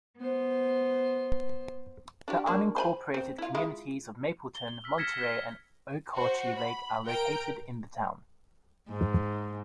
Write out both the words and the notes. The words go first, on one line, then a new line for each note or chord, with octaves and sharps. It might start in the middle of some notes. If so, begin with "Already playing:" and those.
The unincorporated communities of Mapleton, Monterey, and Okauchee Lake, are located in the town.
B3 C5
D4 F#4 G4
F#3 A#3 D4
C5 G#5 B5
C4
E4 F4
G#3 E4 F4
G7
E6 F6 B6
F6 G#6 A#6 B6 C#7 E7
F6 G#6 B6 E7
F#4 C5
B5
A#4 G5 A#5 G6 D7
G#2